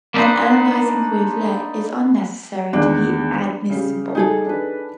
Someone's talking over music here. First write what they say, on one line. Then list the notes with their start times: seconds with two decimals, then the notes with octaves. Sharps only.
An analyzing wavelet is unnecessary to be admissible.
0.14 A#3 B3 D4 D#4 B4 C5
2.73 E2 D#3 G#3 D4
3.70 C#3 G3
4.15 G3 D#4 G#4 A4
4.46 D4 B4